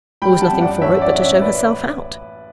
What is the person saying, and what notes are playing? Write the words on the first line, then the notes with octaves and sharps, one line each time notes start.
There was nothing for it but to show herself out.
G3 G5 B5
F#5 A5
F#2
D5 F#5
A1 C#5 E5
D5 F#5
A1
C#5 E5
B4 D5